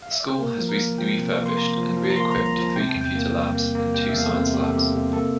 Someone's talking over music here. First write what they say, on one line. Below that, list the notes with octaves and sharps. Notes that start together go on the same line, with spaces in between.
The school has recently refurbished and re-equipped three Computer Labs and two Science Labs.
F5
E5
D5
C5
A#3 A#4
F3
A#4
A#3
F3 G5
C3
A#3
C6
A#3 A#5
F3
F3
A#5
A#3 C6
C2 A#5
A#5
F3 A#5
C3 G5
A5
E2
G5
A#3
G3
A#3
A#3
G3 G5
F5
E5
E2 F5
A4
C3
G3 G4
A4
C3 G4
C3
A#3 A4